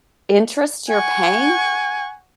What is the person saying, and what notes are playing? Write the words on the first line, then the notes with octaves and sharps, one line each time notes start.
interest you're paying
F#5 G#5 C#6